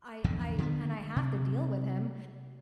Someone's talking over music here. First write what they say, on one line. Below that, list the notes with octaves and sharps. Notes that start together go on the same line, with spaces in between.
I I and I have to deal with him,
A#1 E2 G2 D3
D3 D#3 A#3 B3
C3